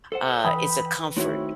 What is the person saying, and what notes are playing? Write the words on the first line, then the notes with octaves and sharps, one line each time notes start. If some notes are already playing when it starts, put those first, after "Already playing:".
uh, it's a comfort,
A4 C5 F#5 E6
E3 B4 G5 B5 D#6
D#3 A3 C4 E4 F#4 C#5 E5